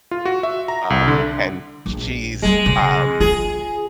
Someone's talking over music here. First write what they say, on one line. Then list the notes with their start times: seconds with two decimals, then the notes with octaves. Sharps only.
um, and sh she's, um
0.11 F4
0.25 F#4
0.43 E5
0.68 A#5
0.90 C2
1.08 D3
1.86 A#1
2.42 G3 G#3 A#3
2.66 C#3
3.20 F4 G#4